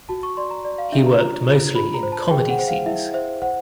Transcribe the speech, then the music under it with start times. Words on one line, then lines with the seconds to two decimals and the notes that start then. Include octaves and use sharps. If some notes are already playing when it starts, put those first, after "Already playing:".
He worked mostly in comedy scenes.
0.09 F#4 A5
0.23 C#6
0.37 D5 C6
0.51 A#5
0.65 D5
0.78 F5
0.92 D4 E5
1.06 A#5
1.20 F4 A#5
1.48 F4
1.75 F4 B5
1.94 A#5
2.03 C5
2.12 A5
2.31 G#4 G5
2.50 F#5
2.59 C5
2.68 F5
2.86 E4 E5
3.13 C5 E5
3.42 C5 F#5